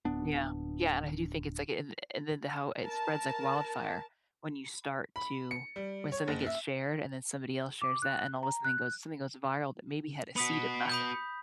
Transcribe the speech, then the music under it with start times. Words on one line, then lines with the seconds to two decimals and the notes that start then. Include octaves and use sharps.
Yeah. Yeah, and I do think it's like it an and then the how it spreads like wildfire when you start to when something gets shared, and then somebody else shares that, and all the sudden goes something goes viral that maybe had a seed of nothing,
0.05 D1 B3 D4
2.84 A#4 A5
5.16 B5
5.51 C#7
5.76 G3
6.12 C#5
6.28 F#1
6.46 E5
7.82 D6
8.02 F#6
8.43 A#5
8.64 F#6
10.36 B3 F#4 B5 D#6 B6
10.90 B5 D#6 G6